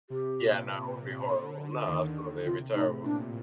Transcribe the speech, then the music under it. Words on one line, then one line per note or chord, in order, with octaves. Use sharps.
Yeah, no, it would be horrible, no, absolutely, it'd be terrible.
C3 G4
A#2
C3
D3
D#2 D#3
C3 F4
A2 D#4
A#2 D4